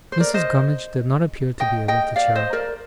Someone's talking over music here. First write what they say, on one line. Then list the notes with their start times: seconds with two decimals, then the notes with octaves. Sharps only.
Mrs. Gummidge did not appear to be able to cheer up.
0.12 C5
0.20 A#4 D5
0.34 C5 D#5
1.60 D#5 G5
1.88 D#5 G5
2.16 D5 F5
2.35 C5 D#5
2.53 A#4 D5